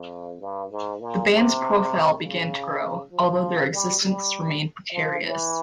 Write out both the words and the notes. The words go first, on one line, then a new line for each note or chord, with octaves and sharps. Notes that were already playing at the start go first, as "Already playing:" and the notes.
The band's profile began to grow, although their existence remained precarious.
Already playing: F2
G2
G#2
A#2
C3
C#3
F3
G3
G3
F3
E3